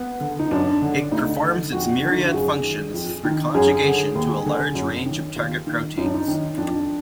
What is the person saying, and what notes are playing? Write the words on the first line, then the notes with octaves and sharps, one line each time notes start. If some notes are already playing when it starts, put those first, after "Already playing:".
It performs its myriad functions through conjugation to a large range of target proteins.
Already playing: B3
D3
D#4
F#2 D4
D3
D2 D#4
D3
F2 F#4
D3 D4
D#4
F4
F#4
F#2 G#4
D#3
F2
D#3
F#2 G#4
D3
D#2
D3
F#2
D#3
D#2 F4
D#3
F#2 D#4
D4
D#4
D#3
F2 D4